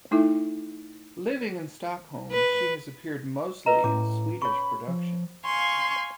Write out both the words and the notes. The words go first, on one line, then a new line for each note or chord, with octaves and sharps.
Living in Stockholm, she has appeared mostly in Swedish productions.
A3 D#4 E4 A4 E5
B4
B4 D#5 A#5
A2 C#4 D6
C#5 B5 C#6
F3
F5 G#5 C6 C#6